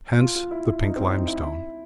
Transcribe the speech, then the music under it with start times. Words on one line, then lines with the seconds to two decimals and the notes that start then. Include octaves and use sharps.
Hence the pink limestone.
0.20 F4
0.35 F4
0.51 E4
0.65 E4
0.82 D#4
0.96 C4
1.11 D#4
1.27 E4
1.43 E4